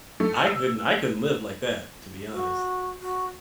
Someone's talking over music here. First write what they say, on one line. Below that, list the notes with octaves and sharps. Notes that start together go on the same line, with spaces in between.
I couldn't I couldn't live like that, to be honest.
A3
E6
F#4
F#4